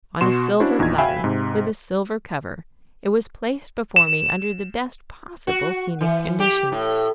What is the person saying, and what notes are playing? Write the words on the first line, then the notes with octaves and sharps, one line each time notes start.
On a silver platter, with a silver cover, it was placed before me under the best possible scenic conditions.
B2 F#4 C6 E7
C#4 D4 E4 F#4 C5
A#1 E2 D#4 F4 G#6
F#4 E5 F5 G5 G#5 B5
G#2 C3
E7
F#4
E3
G4
A2